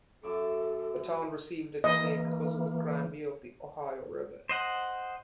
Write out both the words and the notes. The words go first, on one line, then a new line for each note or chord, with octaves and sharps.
The town received its name because of the "grand view" of the Ohio River.
F#2 A4 E5 D6
E3 A#3 D#5
C5 D#5 F#5